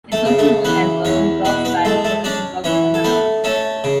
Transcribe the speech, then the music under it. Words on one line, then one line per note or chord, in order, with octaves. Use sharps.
It is also known as Rosenbrock's valley or Rosenbrock's banana function.
A3 A4
C#3
A3 A4
E3 B3 B4
E2 C#4 C#5
B2 B3 B4
B3 B4
G#3 A3 A4
A3 A4
C#4 D4 D5
E3 C#4 C#5
A4
A3 B3 B4
A3 C#4 A4
C#3